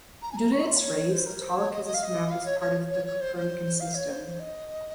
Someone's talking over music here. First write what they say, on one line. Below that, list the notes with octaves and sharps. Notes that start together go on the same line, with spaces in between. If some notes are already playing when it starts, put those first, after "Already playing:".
Due to its rays, Autolycus is mapped as part of the Copernican System.
A#5
G#5
A#5
C#6
C6
D#5
C#5
C5
A#4
C5
C#5
D#5
D#5
F5
D#5
F5
C#5
C#5
C#5
C#5
C5
C5
F5
C#5
C5
D#5